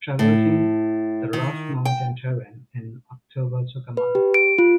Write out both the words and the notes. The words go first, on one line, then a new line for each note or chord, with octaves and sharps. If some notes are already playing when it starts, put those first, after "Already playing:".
Traversing the rough mountain terrain in October took a month.
A2
D#3
G5
B4
G4
D7
F4